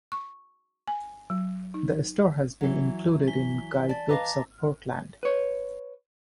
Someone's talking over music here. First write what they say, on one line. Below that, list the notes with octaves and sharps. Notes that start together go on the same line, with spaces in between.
The store has been included in guide books of Portland.
C#6
G#5
F#3
D#4
E3 F#3
G#5 B6 G7
D5 A5 A6
B4 D#5 F5 A#5 D6 A#6
B4 C#5